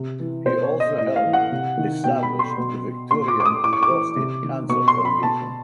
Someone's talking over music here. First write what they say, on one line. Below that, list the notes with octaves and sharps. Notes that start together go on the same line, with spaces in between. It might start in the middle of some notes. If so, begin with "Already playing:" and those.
He also helped establish the Victorian Prostate Cancer Foundation.
Already playing: C3
E3
B2 C5
C#5
D#5
A2 D#5
F5
E3
F#5
C3
D#3
B2 G5
B5
C6
B2
A#2 C6
D6
D6
D#6
A2 D6
C#6
D6
E3
C3
D#3
B2 C#6
C6
B5
B2 A5